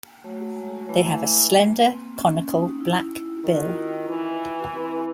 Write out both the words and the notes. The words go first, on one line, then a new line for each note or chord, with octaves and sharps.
They have a slender conical black bill.
F#3 A3
G#3
E3 A3
A3
A#3
C4
C#4
D#4
E4
E4
D#3 F4
F#4
F4
E4
E3
C4